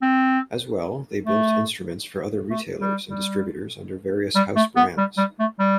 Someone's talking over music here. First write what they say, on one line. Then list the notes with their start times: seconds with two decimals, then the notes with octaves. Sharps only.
As well, they built instruments for other retailers and distributors under various house brands.
0.02 C4
1.26 A3
2.50 A3
2.81 G3
3.08 G3
4.36 G3
4.56 A3
4.76 B3
4.98 G3
5.18 G3
5.39 A3
5.59 G3